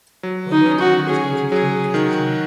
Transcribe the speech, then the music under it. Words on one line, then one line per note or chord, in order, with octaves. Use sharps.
Robert Albus was the team captain.
F#3
D#4
C#4
F#4
C#4 G#4
F#3 G#4
D#3 F#4